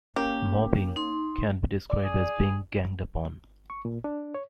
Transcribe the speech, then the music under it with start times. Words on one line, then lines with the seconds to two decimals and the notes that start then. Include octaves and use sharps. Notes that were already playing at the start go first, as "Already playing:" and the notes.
Mobbing can be described as being ganged up on.
0.16 A#3 C#4 G4
0.96 D#4 C6
1.90 D5
2.04 G#4
3.70 C#6
3.85 A#2
4.04 D4
4.34 C#5